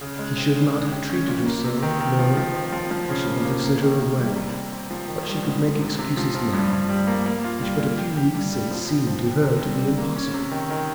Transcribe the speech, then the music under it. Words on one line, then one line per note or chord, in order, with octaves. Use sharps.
He should not have treated her so; no, he should not have sent her away. But she could make excuses now, which but a few weeks since seemed to her to be impossible.
C#3
G#3
C4
C#3
G#3
G4
C#4
A#2
A#3
C3
D#3
D#3
F3
F3
C4
F3
F3
C#3
A#3
A#3
A#3
D#3
A#3
G3
C3
C4
C4
F3
D#3
G3
G#2
G#2
C3
C3
F3
F3
G2
G2
G3
A#3
A#3
F4
G3
A#2
G4
G4
G2
G3
F3
C4
F3
G4
C3
G3
G3
A#3
C#4
C3
D#3
D#3